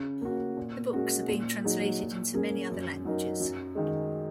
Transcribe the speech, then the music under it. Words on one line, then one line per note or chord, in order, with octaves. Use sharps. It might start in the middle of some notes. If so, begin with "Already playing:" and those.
The books are being translated into many other languages.
Already playing: C#3
A#3 C#4 F#4
A#2
G#3 C#4 F#4 A#4
A#2
F#3 D#4 G#4
A#2
A#3 C#4 G#4
F#2
F#3 D#4 A#4
F#2
D#3 G#3